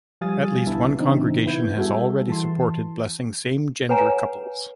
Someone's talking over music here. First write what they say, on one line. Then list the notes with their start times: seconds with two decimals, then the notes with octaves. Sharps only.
At least one congregation has already supported blessing same-gender couples.
0.21 F3 G3 F5 G#5 D#6 A6
0.66 B1 D3 B3 E4 E5 A5
0.97 A#2 C#3 E3 C4 D4 D#4
1.46 B3 E4 G6 G#6
1.76 G3 F#4 G#4 A4 E5
2.28 E3 A5 C6
3.89 B4 C#5 F#5 G#5 A#5